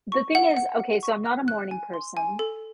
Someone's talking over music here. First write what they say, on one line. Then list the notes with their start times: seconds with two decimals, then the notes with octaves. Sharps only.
the thing is okay, so I'm not a morning person,
0.12 C#6
0.35 F#5
0.57 F#5
0.80 F#5
1.03 C#6
1.26 F#6
1.48 F#6
1.71 G#5
1.94 C6
2.17 G#5
2.39 A4